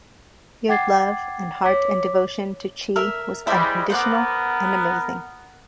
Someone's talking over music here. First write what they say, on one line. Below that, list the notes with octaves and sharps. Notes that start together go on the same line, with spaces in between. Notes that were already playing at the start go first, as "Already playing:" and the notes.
Your love and heart and devotion to Chi was unconditional and amazing.
F#5 G5 D6 G#6 A6 C7
C#5 D6 B6
A#4 E5
G3 G#3 E4 C5 B5
B3 A#4 C5 F#5 D6